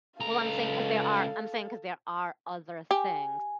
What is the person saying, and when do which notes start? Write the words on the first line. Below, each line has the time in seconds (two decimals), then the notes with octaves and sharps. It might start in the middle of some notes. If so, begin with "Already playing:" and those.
Well, I'm saying 'cause there are I'm saying 'cause there are other things
0.20 C#2 A4 F5 A#5
2.91 G4 G#5